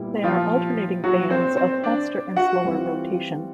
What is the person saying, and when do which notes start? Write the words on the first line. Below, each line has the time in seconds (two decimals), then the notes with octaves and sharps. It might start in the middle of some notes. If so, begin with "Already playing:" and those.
They are alternating bands of faster and slower rotation.
Already playing: A#2 G3 B3 E4
0.24 F3 F4
1.04 F#3 F#4
1.30 C4 C5
1.57 C4 C5
1.84 D4 D5
2.37 F#4 F#5
2.63 E3 G3 C4 F4